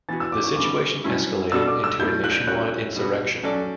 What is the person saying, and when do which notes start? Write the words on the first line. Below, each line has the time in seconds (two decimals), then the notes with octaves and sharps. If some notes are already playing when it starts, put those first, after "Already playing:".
The situation escalated into a nationwide insurrection.
0.09 E3 B3 F#4 A6
0.20 E6
0.32 D6
0.44 C#6
0.56 C#3 G3 B3 D6
1.04 G2 F#3 C#4 E4
1.52 B2 G3 D4 F#4 A4 E6
1.68 D6
1.84 E6
2.00 B2 F#3 A3 E4 G6
2.24 F#6
2.32 G6
2.47 G3 C#4 F#4 C#5 F#6
2.95 B2 G3 B3 F#4
3.43 F#3 C#4 F#4 A4 D5